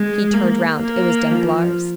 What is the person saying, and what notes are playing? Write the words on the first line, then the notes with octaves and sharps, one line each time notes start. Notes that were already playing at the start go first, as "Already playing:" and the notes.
He turned round; it was Danglars.
Already playing: G#3
A#3
A#3
F3